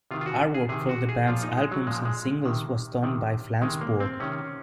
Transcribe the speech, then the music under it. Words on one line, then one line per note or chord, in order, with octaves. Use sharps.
Artwork for the band's albums and singles was done by Flansburgh.
C3 D#3 F4
F4
F#4
G#4
C3 D#3 G#4
F#4
G#4
A#2 F3 F4
D#4
G#3
F#3
A#2 F3 G#3
G#3
C3 D#3
C3 D#3
C3 D#3 G#3
A#3
C4
C3 D#3 C#4